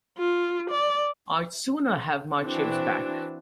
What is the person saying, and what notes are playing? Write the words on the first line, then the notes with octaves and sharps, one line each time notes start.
I'd sooner have my chips back.
F4
D5
E3 C4 D4 F#4